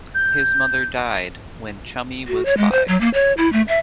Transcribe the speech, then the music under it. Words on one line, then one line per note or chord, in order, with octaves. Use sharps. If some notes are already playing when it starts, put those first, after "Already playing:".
His mother died when 'Chummy' was five.
G6
F#4
C#5
G#3
C5
F#3
A#3
C#5
E4
A3
E5